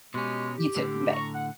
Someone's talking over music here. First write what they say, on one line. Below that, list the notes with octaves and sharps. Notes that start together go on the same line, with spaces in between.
You too. Bye.
B2 G#3 C#4 G4
G4
A2 D3
A#5 C#6
F#5